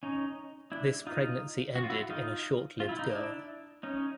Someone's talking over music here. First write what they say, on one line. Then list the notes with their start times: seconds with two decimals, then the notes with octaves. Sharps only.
This pregnancy ended in a short-lived girl.
0.03 C#4 D#4
0.72 D4 E4
1.07 D#4 F4
1.76 F#4
1.84 F4
1.90 E4 F#4
2.10 D#4 F4
2.80 F4
2.89 E4
2.99 D#4
3.09 D4 E4
3.83 C#4 D#4